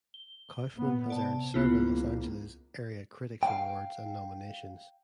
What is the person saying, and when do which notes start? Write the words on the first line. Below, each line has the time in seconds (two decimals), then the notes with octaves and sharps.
Kaufman has earned several Los Angeles area critics' awards and nominations.
0.14 G7
0.77 A#2 B3
1.10 C3 D5 A5
1.54 C#2 F3 A#3 B3 E4 F4
3.43 F5 G5